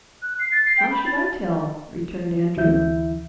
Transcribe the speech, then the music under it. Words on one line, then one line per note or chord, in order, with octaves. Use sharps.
"How should I tell?" returned Andrew.
F#6
C7
A6
C7
G5
B5
A6
D2 E3 E4 E5 G6